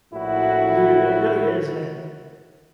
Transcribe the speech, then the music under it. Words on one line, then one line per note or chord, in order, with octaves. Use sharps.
Dude, it really is, and I
A#1 A2 E4 F#4